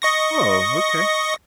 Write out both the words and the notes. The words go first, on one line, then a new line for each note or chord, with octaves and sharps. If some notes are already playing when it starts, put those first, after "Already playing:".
Oh, okay.
D#5 C#6 A#6